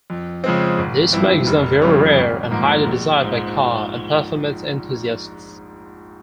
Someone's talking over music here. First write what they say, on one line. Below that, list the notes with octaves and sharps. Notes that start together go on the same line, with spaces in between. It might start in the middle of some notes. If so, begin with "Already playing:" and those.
This makes them very rare and highly desired by car and performance enthusiasts.
F2
C#3 F3 G#3 C4
G#1
G2 F3 C4 E4
F1
F2 C#3 G3 C#4
G#1
G#2 F3 A#3
A#1
G#2 F3